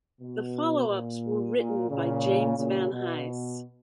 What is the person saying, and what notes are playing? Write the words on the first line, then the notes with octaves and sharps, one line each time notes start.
The follow-ups were written by James Van Hise.
B2
A#2
A#2
A#2 C#3
A#2 C#3
B2